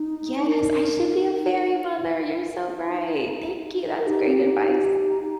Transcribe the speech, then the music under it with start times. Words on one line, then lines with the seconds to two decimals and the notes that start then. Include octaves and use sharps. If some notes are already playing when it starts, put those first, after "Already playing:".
Yes, I should be a fairy mother, you're so right. Thank you, that's great advice.
Already playing: D#4
0.46 A#4
2.86 D#4
3.98 A#4
4.07 D#4 G4
4.26 C4
4.42 C4
4.47 D#4
4.67 D#4
5.22 G4